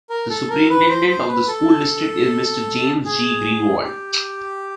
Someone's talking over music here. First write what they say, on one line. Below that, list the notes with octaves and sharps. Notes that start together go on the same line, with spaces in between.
The superintendent of the school district is Mr. James J. Greenwald.
A#4
A4
A#4
B4
C5
C5
B4
A4
G#4
G4